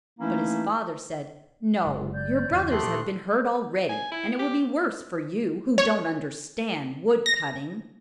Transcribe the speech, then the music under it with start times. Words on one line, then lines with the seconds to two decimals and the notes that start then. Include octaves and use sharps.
But his father said: "No, your brothers have been hurt already, and it would be worse for you, who don't understand wood-cutting."
0.19 E3 A3 A#3 C#4 D#4 E4
1.84 F#1 G#3
2.13 D5 G6
2.49 E2 G2 C#3
2.71 A3 G4 A4 C6 D#6 F#6
2.83 A#2
3.89 G#5
4.12 E4
4.39 G4
5.78 C#5
7.26 A#6